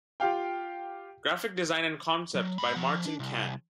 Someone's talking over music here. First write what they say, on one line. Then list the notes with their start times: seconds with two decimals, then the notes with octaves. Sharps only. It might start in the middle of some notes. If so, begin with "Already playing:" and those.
Graphic design and concept by Martin Kann.
0.20 F4 G4 F5 G5
2.34 F#3
2.58 G#2 B5
2.75 F3 F#5
3.05 D4
3.19 C2